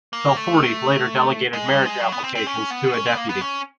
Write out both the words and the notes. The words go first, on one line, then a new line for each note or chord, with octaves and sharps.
Belforti later delegated marriage applications to a deputy.
A#3
A3
G#3
G3
G#3
F#3
B3
C4
C4
C#4
B3
C#4
C4
B3
A#3
B3
C#4